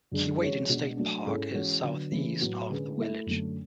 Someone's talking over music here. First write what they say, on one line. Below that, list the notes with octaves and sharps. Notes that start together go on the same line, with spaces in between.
Keewaydin State Park is southeast of the village.
F#2 D3 G#3 D4
E3 G#3 C#4 F#4 C#5
B2 G#3 D4 F#4
F#3 A3 D4
G#2 G#3 C#4 E4 A4
E3 G#3 C#4 F#4 C#5
D3 F#3 B3
C#3 E3 A3 E4
A2 F#3 B3
D3 G#3 C#4 G#4 B4
A3 E4 A4 E5
F#2 D3 A3